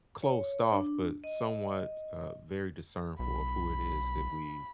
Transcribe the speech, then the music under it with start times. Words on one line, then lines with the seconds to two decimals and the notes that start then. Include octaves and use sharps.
closed off, but somewhat, uh, very discernful of who it is that we
0.22 C#5
0.73 D4
1.24 D#5
3.19 B1 B5